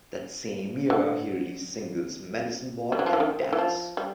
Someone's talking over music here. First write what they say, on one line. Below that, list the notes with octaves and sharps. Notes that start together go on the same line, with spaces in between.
That same year he released singles "Medicine Ball" and "Dallas".
D3
G3
F#3
F3
E3
D#3
E3
F3
G3